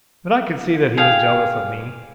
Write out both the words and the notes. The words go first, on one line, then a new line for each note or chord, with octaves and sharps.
But I could see that he was jealous of me.
G#4 F5 G5